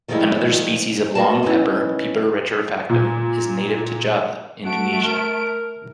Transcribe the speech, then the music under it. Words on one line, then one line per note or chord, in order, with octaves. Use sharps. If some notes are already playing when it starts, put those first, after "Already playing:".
Another species of long pepper, "Piper retrofractum", is native to Java, Indonesia.
D#3 F3 G3 G#3 A#3 E4
A#3 B3 F#4 A#4 F5 A5
B3 C#4 D#4 E4
A#2
A3 F#4 D7
A#4